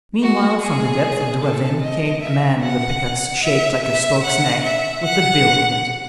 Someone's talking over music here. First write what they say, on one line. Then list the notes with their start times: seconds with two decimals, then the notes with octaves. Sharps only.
Meanwhile from the depth of the ravine came a man with a pickaxe shaped like a stork's neck with the bill on it.
0.22 F#4
0.62 G#4
1.43 A4
1.82 D#5
2.23 E5
2.62 F#5
3.43 E5
3.84 E5
4.23 F#5
4.64 E5
5.04 F#5